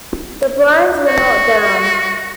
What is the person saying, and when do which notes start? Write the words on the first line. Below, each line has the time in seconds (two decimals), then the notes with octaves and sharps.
The blinds were not down.
1.08 F#4